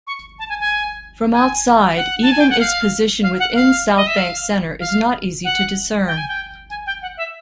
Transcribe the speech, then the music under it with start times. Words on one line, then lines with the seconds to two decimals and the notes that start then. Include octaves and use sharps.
From outside, even its position within Southbank Centre is not easy to discern.
0.07 C#6
0.39 A5
0.49 G#5
0.60 G#5
1.33 G#5
1.97 F#5
2.23 A5
2.32 G#5
2.40 G5
2.50 F#5
2.60 F5
3.23 F5
3.39 F#5
3.55 F5
3.97 D#5
4.07 E5
4.17 F5
4.80 F5
5.44 F#5
6.07 G5
6.17 G#5
6.28 G5
6.70 G#5
6.86 G5
7.02 F#5
7.17 E5